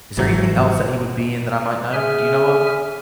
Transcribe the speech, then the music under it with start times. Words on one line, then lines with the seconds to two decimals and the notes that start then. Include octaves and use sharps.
Is there anything else that he would be in that I might know, do you know of?
0.17 G1 G#2 E3 F#3
1.93 G#4 E5 G#5 F6